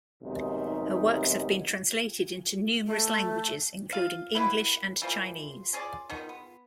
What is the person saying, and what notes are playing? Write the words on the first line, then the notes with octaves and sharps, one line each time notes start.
Her works have been translated into numerous languages, including English and Chinese.
B1 G#2 C3 D#3 G3 D#4
A3
F4 F5
F#3 A#3 E4 B4
E3 F3 G3 A#3
C#4 G#4 C#5 D5
D#3 B3 D#4
B3